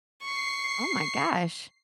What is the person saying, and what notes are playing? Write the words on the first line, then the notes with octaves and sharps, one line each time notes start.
Oh my gosh.
C#6 C7